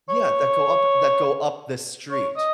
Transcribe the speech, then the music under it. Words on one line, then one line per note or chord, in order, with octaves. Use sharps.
Yeah, that go up that go up the street-
C#5
C#5
D#5